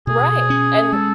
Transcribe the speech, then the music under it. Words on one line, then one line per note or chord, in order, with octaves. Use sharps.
Right, and
B2 G#4
C#4
G#3 A4